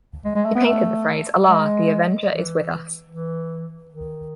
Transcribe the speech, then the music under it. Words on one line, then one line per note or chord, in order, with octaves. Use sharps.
They painted the phrase Allah the Avenger is with us!
G#3
G#3
A3
B3
A3
G#3
E3
E3
D#3